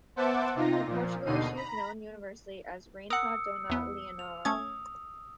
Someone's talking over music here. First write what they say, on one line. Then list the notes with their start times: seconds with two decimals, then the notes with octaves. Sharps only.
In Portugal, she is known universally as "Rainha Dona Leonor".
0.16 B3 C5 E5 F#5 A5 D6
0.55 C3 D#4 F4 A#6
0.86 A#2 F3
1.26 D#2 B2 D3 D#4 C7 D#7
1.55 A#5 B5
3.10 A#4 F#5 D#6 E6 C#7
3.69 E2 B3
4.19 F7
4.45 A3 C#4 D#6 G#6